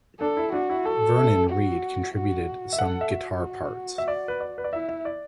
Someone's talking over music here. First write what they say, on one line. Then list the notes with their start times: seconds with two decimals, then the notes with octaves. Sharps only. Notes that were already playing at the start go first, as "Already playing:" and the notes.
Vernon Reid contributed some guitar parts.
0.20 D4 A4
0.37 E4
0.53 D4 F#4
0.69 E4
0.85 F#4 A4
1.17 E5
1.50 F#4
2.14 F#4
2.73 E5
2.79 A4 F#5
3.01 E5
3.11 F#4
3.98 E5
4.08 D5
4.28 B4
4.40 D5
4.58 B4
4.64 D5
4.73 E4 E5
4.88 E5
5.05 D5